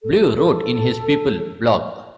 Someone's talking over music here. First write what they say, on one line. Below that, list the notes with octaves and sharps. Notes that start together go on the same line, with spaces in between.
Bleu wrote in his "People" blog.
A4
A4